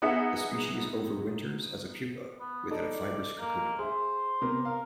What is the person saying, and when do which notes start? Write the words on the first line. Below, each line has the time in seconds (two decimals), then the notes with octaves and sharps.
The species overwinters as a pupa within a fibrous cocoon.
0.02 B3 D#4 G#4 E5 F#5
2.40 B3
2.70 D#4 A4 D5
3.39 A#3
3.79 G#4 C5 E5
4.42 C3 B3 A#4
4.65 A#4 F5